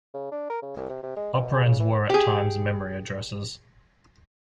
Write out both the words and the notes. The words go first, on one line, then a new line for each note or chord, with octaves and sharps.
Operands were at times memory addresses.
C#3
D4
A#4
C#3
C2
C3
C3
G#3
B2
G#4
C#3
E3
G4 G#4